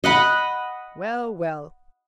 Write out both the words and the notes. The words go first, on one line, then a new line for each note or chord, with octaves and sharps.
Well, well!
D#5 F#5 B5